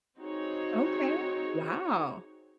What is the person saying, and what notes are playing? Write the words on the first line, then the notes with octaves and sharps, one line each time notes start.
Okay. Wow.
C4 D#4 F#4 G#4 C#5